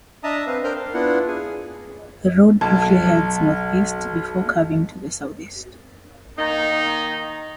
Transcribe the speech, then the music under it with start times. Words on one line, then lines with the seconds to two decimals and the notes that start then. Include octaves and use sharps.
The road briefly heads northeast before curving to the southeast.
0.23 D4 D#5 E5 A5 A#5 D#6
0.47 C4 B4 F5
0.64 D4 A#4 C5 G5 F6 G6
0.76 F5
0.94 B3 D4 E4 F4 F#5
1.28 G#4 G#5
2.61 B1 A5
6.37 D#3 A#3 D#4